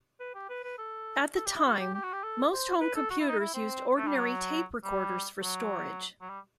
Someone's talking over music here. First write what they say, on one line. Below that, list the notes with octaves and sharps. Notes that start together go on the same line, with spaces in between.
At the time, most home computers used ordinary tape recorders for storage.
B4
G4
B4
B4
A4
A4
G4
E4
F#4
G4
G4
F#4
G4
A4
C5
B4
A4
F#4
E4
D#4
E4
C4
A3
G3
F#3
G3
F#3
F#3
G3